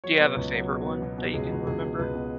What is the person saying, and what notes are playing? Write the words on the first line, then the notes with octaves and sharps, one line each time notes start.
Do you have a favorite one that you can remember?
F#3 C#5
B4
B2 C#5
C#2
F#3
B2
B3
B2
B2
C#2 G#4
C#2
C#2 G#4
B2
C#2 B4
B2